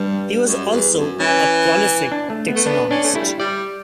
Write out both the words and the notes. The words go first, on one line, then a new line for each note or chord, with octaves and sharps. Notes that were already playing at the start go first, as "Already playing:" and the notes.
He also was a prolific taxonomist.
Already playing: G2 G3
F#2
E2
F#2
E3 C#4
D4
A3
B3
A3
B3 D4
C#4 D4
A3
G3 E4
G3 D5